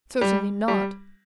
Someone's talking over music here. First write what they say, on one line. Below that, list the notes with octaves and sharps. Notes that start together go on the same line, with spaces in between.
Certainly not.
G3
G3